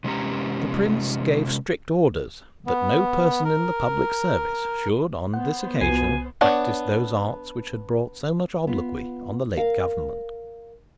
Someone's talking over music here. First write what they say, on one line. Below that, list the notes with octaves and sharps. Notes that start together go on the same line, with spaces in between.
The Prince gave strict orders that no person in the public service should, on this occasion, practise those arts which had brought so much obloquy on the late government.
C3 G#3 B3 C#4 G4 A#5
B3
A#4
B3 C5 F#5
C2 B2 F3 G#5 C7
B3 D4 C#5
B3 F4
A#4 F5